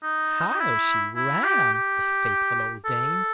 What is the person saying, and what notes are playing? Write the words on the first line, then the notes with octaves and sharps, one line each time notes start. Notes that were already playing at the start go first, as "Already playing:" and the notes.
How she ran, the faithful old dame!
D#4
D#4
E4
E4
G4
G4
A4